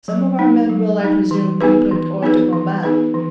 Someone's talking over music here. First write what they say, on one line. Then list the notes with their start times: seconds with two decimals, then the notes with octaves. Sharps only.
Some of our men will, I presume, be put HORS DE COMBAT.
0.08 F#3
0.39 A3 D#4
0.69 F#3
1.00 A3 D#4
1.31 E3
1.61 B3 D#4 G#4 B4
1.91 E3
2.22 B3 D#4 G#4 B4
2.53 E3
2.83 B3 D#4 G#4 B4
3.14 E3